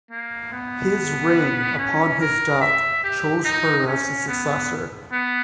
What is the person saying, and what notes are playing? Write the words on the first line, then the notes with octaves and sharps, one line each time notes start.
His ring, upon his death, chose her as his successor.
A#3
B3
C#4
A#4
E5
G4
D#4
C#4
B3
B3